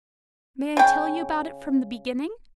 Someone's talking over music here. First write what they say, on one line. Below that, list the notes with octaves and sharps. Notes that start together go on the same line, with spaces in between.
'May I tell you about it from the beginning?'
C#3 G5